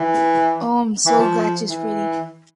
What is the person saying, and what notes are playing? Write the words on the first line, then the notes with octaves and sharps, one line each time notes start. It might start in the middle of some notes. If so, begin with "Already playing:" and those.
Oh, I’m so glad she’s pretty.
Already playing: E3
E3
F3
E3